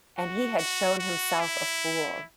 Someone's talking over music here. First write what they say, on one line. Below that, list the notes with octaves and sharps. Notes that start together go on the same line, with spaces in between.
And he had shown himself a fool.
F#4
F#4
F#4
E4